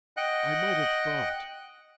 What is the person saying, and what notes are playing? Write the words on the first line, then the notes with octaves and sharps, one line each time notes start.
"I might have thought!"
D#5 F#5 G5 F#6